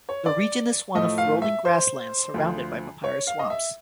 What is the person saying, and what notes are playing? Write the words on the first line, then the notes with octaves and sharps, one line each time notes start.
The region is one of rolling grassland surrounded by papyrus swamps.
C#5
D5
A2 F3 A3 D#5
F5
E5
C5
D2 D3 F3
C#5
F5
D#5
E5